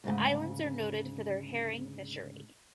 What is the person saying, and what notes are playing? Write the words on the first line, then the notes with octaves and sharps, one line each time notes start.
The islands are noted for their herring fishery.
D2 G#2 C#3